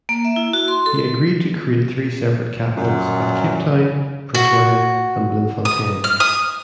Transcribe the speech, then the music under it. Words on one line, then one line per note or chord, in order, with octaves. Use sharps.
He agreed to create three separate capitals, at Cape Town, Pretoria, and Bloemfontein.
A#3
E5
E4
F#4
C6
A4
F#2 A#2
F#4
D#6
F6
D#6